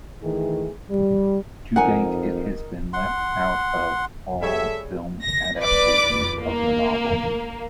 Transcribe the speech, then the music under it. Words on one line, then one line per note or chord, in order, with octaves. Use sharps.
To date, it has been left out of all film adaptations of the novel.
D#3 E3 A3 G#4
G3
F2 D#4 A#4 F#5 G#5
F#5 C6
G3 G#4 A4 C#5 E5
A#6
B4 D5 D6
A#3